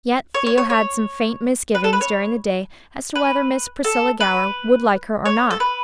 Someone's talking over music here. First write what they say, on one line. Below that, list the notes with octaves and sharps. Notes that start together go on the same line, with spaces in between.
Yet Theo had some faint misgivings during the day as to whether Miss Priscilla Gower would like her or not.
C#5
C#5
C#5
C#5
B4
A4
B4
C#5
B4
A4
B4
C#5
A4
B4